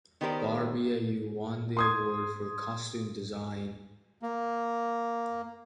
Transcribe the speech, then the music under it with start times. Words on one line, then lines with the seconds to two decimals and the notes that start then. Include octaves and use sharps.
Barbeau won the award for costume design.
0.21 D#3 B3 G4 A#4 C5 D5
1.77 C6 D#6 G#6
4.22 A#3